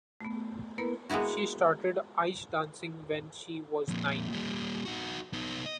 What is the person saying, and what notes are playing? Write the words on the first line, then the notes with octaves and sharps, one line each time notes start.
She started ice dancing when she was nine.
A3 B3
A#3 B3 E4 A#4 B4
G#3 A#3 B3 E4 F#4
F2 A#2
A#2 G3
D#4 F#4
B3 D#4
D#5